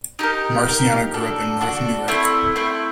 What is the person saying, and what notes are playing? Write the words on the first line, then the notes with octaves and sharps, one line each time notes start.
Marciano grew up in north Newark.
D#4 G4 A#4
D#4 G4 A#4
D4 F#4 A4 D5
D4 F#4 A4 D5
A3 C4 E4
A3 C4 E4